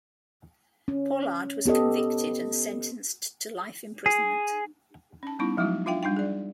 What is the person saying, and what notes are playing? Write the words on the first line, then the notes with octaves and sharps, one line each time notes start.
Pollard was convicted and sentenced to life imprisonment.
C#4
B3 G4 A4 D#5
G#4
C#4 A5
G3 B3 C#4 D#4 E4
F3 F#3 G#3 D#4 E4 F#4
D4 F4 E5 F5 G5
G3 D4 D#4 G5
G#4 D5